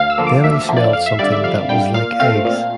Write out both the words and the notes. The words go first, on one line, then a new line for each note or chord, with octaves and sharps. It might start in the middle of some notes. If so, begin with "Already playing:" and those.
Then I smelled something that was like eggs.
Already playing: D2 F5
E6
D3 F3 A#3
D6
D2 E5
D3 F3 A#3
D5
F2 F5
E5
D3 G3 D5
E5
F2 F5
D3 G3 G5
A#2 F5
A3 C4 F5
A#2